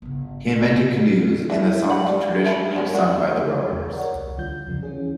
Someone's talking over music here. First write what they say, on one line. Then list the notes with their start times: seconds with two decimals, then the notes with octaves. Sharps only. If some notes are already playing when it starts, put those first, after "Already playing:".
He invented canoes and the songs traditionally sung by the rowers.
0.02 G1 C#3
1.50 E3 A3
1.90 B4 F#5 B5
2.06 G3
2.44 E5 A#5 B5
2.76 B3 C#4 A#4
2.95 F3 D4 F#4
3.72 E2
3.93 A#4 C#5 D5 F#5
4.14 C2
4.38 D2 D3 G3 F4 G6
4.67 E2 C#3 F3
4.83 E3 C#4 G#4